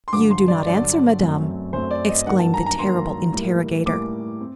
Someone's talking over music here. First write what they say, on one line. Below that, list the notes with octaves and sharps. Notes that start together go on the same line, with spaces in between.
"You do not answer, madame!" exclaimed the terrible interrogator.
C6
G2 D3 F#3 D6
C6
D5
G2 D3 F#3 D5
F#2 F#3 A3 C4
F#2 F#3 A3 C4 C5
D5
D#5
G2 D#3 F#3 A#3 F#5
A5
A#5
A#5
G2 D#3 F#3 A#3 C6
A2 G3 A#3
A2 G3 A#3 D6
C4